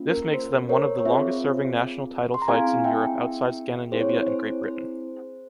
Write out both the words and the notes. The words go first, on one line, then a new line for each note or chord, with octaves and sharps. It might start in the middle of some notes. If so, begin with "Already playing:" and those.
This makes them one of the longest-serving national title fights in Europe outside Scandinavia and Great Britain.
Already playing: A#3 C#4 F4
A#4
C5
A#4 C#5
C#5
C4 F4 G#4 C5 E5
C6
A#5
C4 E4 G#4 F5 G#5
E5 G5
C4 E4 G#4 C5
C#5
C5
C5
C5